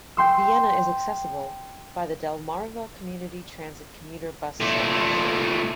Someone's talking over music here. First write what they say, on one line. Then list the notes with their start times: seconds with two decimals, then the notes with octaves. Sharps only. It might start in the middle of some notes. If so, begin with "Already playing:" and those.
Vienna is accessible by the Delmarva Community Transit commuter bus service.
0.17 G5 C6 E6
4.61 A#2 A3